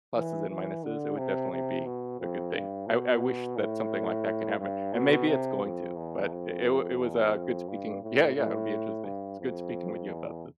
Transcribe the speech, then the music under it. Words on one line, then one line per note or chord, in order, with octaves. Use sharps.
pluses and minuses, it would definitely be a good thing. I I wish that something like that could happen, and maybe it's going to. But it it wa it was, uh, good speaking Yeah, yeah, it would be interesting. It's good speaking with you about this.
E3
E3
D3
C3
C3
B2
F2
G2
B2
A2
G2
B2
C3
F2
E2
F2
E2
F2
G2
A2
A2
G2
F2
E2